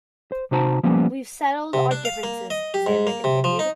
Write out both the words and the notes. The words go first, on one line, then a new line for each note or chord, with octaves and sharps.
"We've settled our differences," Zander continued.
C5
C3 D#4 F#4 C5 A5 A#5
F3 G3 A#3 B3 C#4
C3
D4
F5
A#3
D#5
G4
G#2
A#3
C3
F3
D#4